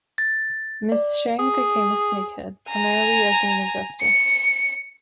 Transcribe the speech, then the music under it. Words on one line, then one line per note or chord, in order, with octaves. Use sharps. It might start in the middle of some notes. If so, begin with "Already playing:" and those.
Ms. Cheng became a snakehead, primarily as an investor.
A6
D5
G#4
G#5 A#5
C#7